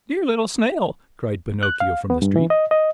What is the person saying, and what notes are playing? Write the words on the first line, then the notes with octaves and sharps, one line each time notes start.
"Dear little Snail," cried Pinocchio from the street.
F#6
F5
B3
G2
E3
D#5
D#5